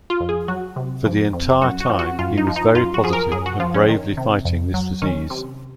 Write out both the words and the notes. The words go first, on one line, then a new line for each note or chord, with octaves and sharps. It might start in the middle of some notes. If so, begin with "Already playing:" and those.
For the entire time, he was very positive and bravely fighting this disease.
F4
F2
G#4
F#3 F#4
C3
F2
F2
F#2 F#4
F#4
F3
F#4
F#2 F4
D#4
F3
D#4
F#2 F4
F#4
F3 G#4
A#4
F#2 G#4
F#4
F3 F4
C#4
D#3
C3
F2
F#3
D#3 C#4
C3